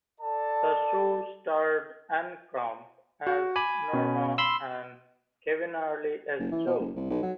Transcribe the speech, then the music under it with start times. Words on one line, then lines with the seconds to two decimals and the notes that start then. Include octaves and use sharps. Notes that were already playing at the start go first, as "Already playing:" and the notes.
The show starred Ann Crumb as Norma and Kevin Earley as Joe.
0.20 A4 D5 A5
3.27 F#4
3.56 G#5 B5 D6
3.93 B2 C#4
4.38 B5 C6 E6
6.39 F#1
6.51 E3
6.66 B2
6.79 F#1
6.96 C2
7.10 B1
7.22 F#3